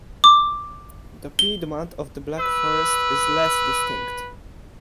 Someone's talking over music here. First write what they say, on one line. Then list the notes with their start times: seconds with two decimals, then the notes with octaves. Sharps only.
The piedmont of the Black Forest is less distinct.
0.24 D6
1.39 G7
2.39 B4 E6